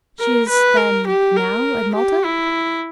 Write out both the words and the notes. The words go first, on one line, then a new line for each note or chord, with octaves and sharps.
"She is, then, now at Malta?"
A#4
B4
A#4
G4
A#4
G4
E4